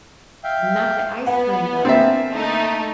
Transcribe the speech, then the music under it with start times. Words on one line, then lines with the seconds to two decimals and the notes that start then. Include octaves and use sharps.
not the ice cream though,
0.44 E5 F5 G5
1.27 B3 F#5 G#5
1.85 D3 A#3 C4 E5 A6
2.31 A3 D#4